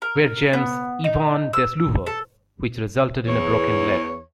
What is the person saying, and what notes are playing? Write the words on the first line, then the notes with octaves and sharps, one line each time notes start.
Waregem's Ivan Desloover, which resulted in a broken leg.
A#4
B3
D#4
E6
A4
E2 C#5